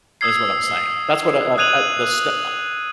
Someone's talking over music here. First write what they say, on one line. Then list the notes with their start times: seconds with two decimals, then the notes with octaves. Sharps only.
That's what I'm saying. That's what, uh uh, the Sn uh,
0.21 D#6 E6 G#6 C7
1.57 D#6 F#6 G#6 D#7 F7 F#7